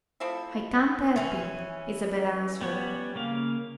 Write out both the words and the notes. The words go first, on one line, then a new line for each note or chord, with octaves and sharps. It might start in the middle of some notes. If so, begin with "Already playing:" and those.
"I can't help it," Isabel answered.
F3 A3 C4 E4
E3 C#4
G3 B3 C#5
C#3 A#3 F5